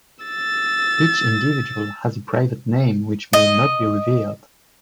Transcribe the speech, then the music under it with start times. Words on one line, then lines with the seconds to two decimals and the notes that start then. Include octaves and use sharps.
Each individual has a private name which may not be revealed.
0.24 E6 A6
3.33 D#5